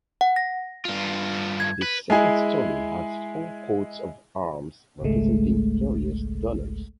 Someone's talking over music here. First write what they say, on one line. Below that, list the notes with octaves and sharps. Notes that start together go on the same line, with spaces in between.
The second story has four coats of arms representing various donors.
F#5
A#6
G2 F4
G#6
B4
G#3 E4 G#4
G#1 C#2 G#2 G#3 A3